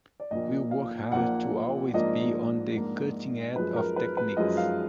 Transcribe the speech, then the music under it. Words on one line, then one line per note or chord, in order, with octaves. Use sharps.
We work hard to always be on the cutting edge of techniques.
D5
A#1 A#2 F3 A#3 D#5
F5
A#1 A#2 F3 A#3 F#5
G#2 F3 A#3 D4 D#5
G#2 F3 A#3 D4
F#2 F3 G#3 B4
A#4
B4
B4
F#2 F3 G#3 D#5
F5